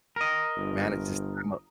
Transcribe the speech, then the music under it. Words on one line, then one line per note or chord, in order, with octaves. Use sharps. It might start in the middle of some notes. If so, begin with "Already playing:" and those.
manage this time up."
A#4 D#5
G1